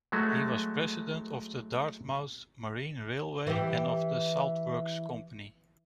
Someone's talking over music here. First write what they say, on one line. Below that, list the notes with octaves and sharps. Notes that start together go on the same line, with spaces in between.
He was president of the Dartmouth Marine Railway and of the Salt Works Company.
F#3 G#3 A3 F#4
E3 G4